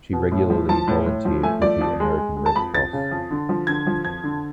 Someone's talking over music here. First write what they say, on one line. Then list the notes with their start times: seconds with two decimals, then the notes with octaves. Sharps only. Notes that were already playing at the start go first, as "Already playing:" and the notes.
She regularly volunteered with the American Red Cross.
0.13 B2
0.32 A2
0.50 F3
0.69 F3 A5
0.88 A2
1.06 A2
1.25 F3
1.43 A3 G#5
1.62 F3 D5
1.81 F2
2.00 G#3
2.18 G#3
2.37 G#3
2.46 A5
2.55 F2 B5
2.74 F2 A6
2.93 C#3
3.11 F2
3.31 D3
3.49 F3
3.67 D3 G#6
3.87 F3
4.04 F2 G#6
4.24 D3